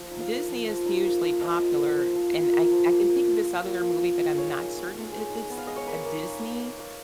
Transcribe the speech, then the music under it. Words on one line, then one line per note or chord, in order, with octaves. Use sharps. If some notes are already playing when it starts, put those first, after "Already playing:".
Disney is hugely popular and I c I can think of this other movie, but I'm not certain if it's a Disney,
Already playing: F3
D#4
F5
A#3
F3
F3
D#4
A#3
F3
F3 D#5
F4
A#3
F3
F3
F4
A#3
F3
A#3
A#3
F4
F4
A#3
A#3
F4
F4
G#3 C#5
D#4
B3
G#3
G#3
D#4
B3
F5
G#3 D#5
C#5
A#3 B4
A#3
D#4
D#4
A#3
A#3